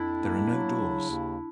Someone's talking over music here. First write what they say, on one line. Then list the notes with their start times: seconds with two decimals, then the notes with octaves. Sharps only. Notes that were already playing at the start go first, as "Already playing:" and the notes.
There are no doors.
Already playing: F2 D4 E4
0.20 A#3
0.49 F#3
0.79 C#3
1.08 D#2